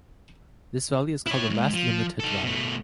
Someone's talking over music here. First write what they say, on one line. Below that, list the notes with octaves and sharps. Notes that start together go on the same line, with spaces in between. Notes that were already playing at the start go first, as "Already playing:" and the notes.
This valley is called the last limited valley.
E4 C#5
F2 G#2
F3
D#4 A4
B2 A3